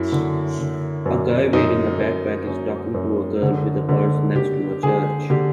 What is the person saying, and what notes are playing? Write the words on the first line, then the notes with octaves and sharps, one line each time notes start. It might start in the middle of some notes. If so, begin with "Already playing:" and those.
A guy wearing a backpack is talking to a girl with a purse next to a church.
Already playing: F#2 E4
D3
D3
F#2
F#2 D#4
F#2
F#2
F#2
D3
D3
D3 G4
D3 G#4
D3 G4